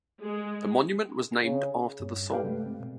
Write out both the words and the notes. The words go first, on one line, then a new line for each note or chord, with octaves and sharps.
The monument was named after the song.
G#3
C#3
G2
G4 A4 B4 D5 F5 G5
C3 G#3 A3
C4
B2